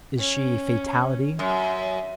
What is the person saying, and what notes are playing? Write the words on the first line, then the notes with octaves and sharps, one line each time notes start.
Is she Fatality?
C#4
F#2 E5